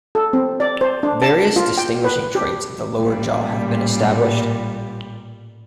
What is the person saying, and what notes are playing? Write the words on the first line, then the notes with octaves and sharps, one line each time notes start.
Various distinguishing traits of the lower jaw have been established.
A4
C4
D5
C5
D4
A5
F4
G5
B4
G4
A1 A#2 G3